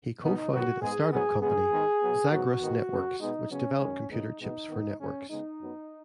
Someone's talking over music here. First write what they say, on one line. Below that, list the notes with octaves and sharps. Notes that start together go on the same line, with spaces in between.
He co-founded a start-up company, Zagros Networks, which developed computer chips for networks.
B2 F#3 B3 D#4
G#2 D#3 F#3 B3 F#4
G#2 G#3 B3 G#4
G#2 F#3 B3 G#4
C#3 G#3 B3 G#4
G#2 D#3 G#3 B3
B2 F#3 B3
G#2 F#3 B3 F#4
G#2 D#3 B3
F#2 C#3 B3
B2 G#3 B3 D#4
C#3 F#3 B3 C#4
F#2 D#3 G#3
F#2 C#3 G#3 B3 D#4
B2 G#3 B3 D#4
F#2 D#3 B3
F#2 C#3 G#3 C#4
C#3 G#3 B3 D#4
F#2 F#3 B3